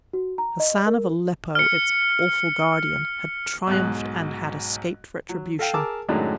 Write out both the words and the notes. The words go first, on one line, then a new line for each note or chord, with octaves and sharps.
Hassan of Aleppo, its awful guardian, had triumphed and had escaped retribution.
F#4
A#5
D#5
A#4
F6 C#7
B1 G#2 F#6
F#3
A4 F5 G5
G#4 A#4 A5 D6 E6
F#2 A2 D#3 F#3 G#3 D4